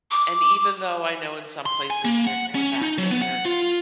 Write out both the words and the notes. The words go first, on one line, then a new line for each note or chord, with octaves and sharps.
and even though I know in some places they're going back and they're
D6
C6
G#5
A#3
F#5
C#4
D#4
F#3
B3
F#5
F4